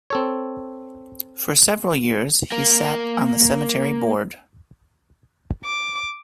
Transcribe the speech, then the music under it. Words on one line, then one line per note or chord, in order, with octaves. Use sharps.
For several years, he sat on the cemetery board.
C4 A4 C#5
A#3 A#4
D6